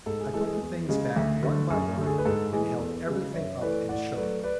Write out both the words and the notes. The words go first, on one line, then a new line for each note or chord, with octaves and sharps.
I put the things back one by one, and held everything up and shook it.
G#2 A4
G#4
E3 G#3 A4
G#4
E2
C#3 G#3
D2
D3 A3
F#2 G#4
D3 A3 A4
G#4
B4
G#2 A4
E3 G#3 G#4
E2 A4
C#3 G#3
F#2 C#5 E5
C#5
E3 A3 B4 D5
A2 D5 F#5
F#3 A3 B4 D5
B4 D5